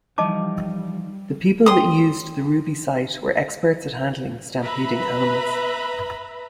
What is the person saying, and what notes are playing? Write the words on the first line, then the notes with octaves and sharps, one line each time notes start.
The people that used the Ruby site were experts at handling stampeding animals.
E3 F3 G3 D#4 D#5 A5 D6
C#4 G#4 G5 C6 D#6
B4 E5 A#5 B5